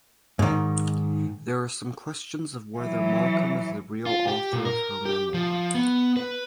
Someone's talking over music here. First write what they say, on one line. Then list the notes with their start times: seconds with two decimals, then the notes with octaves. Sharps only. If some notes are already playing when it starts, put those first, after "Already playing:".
There are some questions of whether Markham is the real author of her memoir.
0.39 G#2 D#3
2.78 E3 F#3
4.06 F4
4.28 G4
4.53 A#2
4.65 A#4
5.05 G4
5.34 F3
5.75 B3
6.17 B4